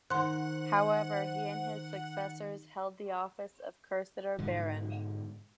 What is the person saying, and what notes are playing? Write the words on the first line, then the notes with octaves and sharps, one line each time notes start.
However, he and his successors held the office of Cursitor Baron.
D#3 C5 F#5 C6 F#6
G#2 B2 D3